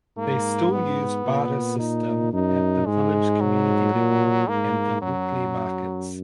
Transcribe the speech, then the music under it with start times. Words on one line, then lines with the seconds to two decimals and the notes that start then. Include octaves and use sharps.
They still use barter system at the village community level and the weekly markets.
0.17 G#2 A#3
0.72 B3
1.25 A#2
1.79 D#4
2.33 F#2 D#4
2.86 G#2 G#3
3.40 F#3
3.94 A#2
4.48 G#2 A#3
5.02 F#2 F#3